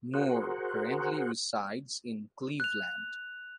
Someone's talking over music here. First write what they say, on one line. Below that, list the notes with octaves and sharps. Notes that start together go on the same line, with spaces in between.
Moore currently resides in Cleveland.
F#4 G#4 A#4 C5 F#5
F#6 F7